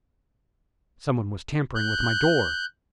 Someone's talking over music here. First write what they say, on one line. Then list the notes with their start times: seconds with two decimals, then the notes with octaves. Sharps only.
Someone was tampering with my door!
1.75 F#6 G6